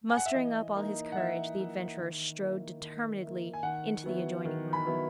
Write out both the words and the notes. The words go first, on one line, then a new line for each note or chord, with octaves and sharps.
Mustering up all his courage, the adventurer strode determinedly into the adjoining room.
G#5
F#5
E5
E3 D#5
A#3 D#4
F#5
E3 E5
A#3 D#4
D#3
A#3 E4
D#3
A#3 E4
G#5
D#3 F#5
F#3 B3 E4
D#3
B5
F#3 B3 E4